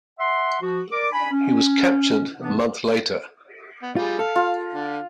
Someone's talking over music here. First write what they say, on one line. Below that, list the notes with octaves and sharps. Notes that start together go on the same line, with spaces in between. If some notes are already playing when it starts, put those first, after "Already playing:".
He was captured a month later.
E5 F#5 C6
F3 F#4
A#4 D5 D6
D4 G#5 B5
C#4
C3 E3 B3 D4
B3
G3 F4 G#4
A4 F5
F4
D3